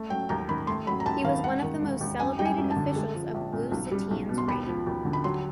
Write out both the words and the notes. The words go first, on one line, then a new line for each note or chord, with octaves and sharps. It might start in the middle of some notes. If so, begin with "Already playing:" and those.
He was one of the most celebrated officials of Wu Zetian's reign.
Already playing: A3
F#3 G5
D#2 A#5
D#3 B5
A3 C6
F#3 B5
A#5
D#2 A5
D#3 F5
E1 F#5
D#3
E1
D#2
F#2 G#5
G3 G5
G#5
F#2
A5
D3
G#3
F3
A#1
A#2
B1
G3
B1
B2
C6
D#2 B5
F3
D#2
D3
B5
F#3 C6